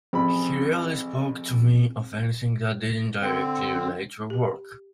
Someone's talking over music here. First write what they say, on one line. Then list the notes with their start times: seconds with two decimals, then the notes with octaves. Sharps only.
He rarely spoke to me of anything that didn't directly relate to our work.
0.13 A1 F3 C4 G#4 B5
3.22 D3 C4
4.30 G4